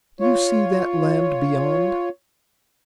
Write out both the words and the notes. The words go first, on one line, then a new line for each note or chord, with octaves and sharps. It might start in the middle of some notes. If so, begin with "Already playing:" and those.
Do you see that land beyond?'
F4 C#5